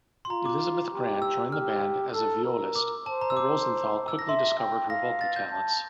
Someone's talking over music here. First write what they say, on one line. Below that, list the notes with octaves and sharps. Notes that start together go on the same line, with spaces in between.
Elysabeth Grant joined the band as violist, but Rosenthal quickly discovered her vocal talents.
C6
F4 A#5
D6
G4
E6
G4 F6
A4 E6
A#4
D6
C5 A5
A#5
E6
D6
E6
A#6
E5 C6
G5
F5 A#6
A6
G6
A5